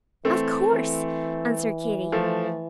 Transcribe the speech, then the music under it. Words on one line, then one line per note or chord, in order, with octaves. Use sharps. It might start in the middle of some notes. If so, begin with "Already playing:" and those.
"Of course," answered Katy.
E3 A3 C4
E3
F3 A3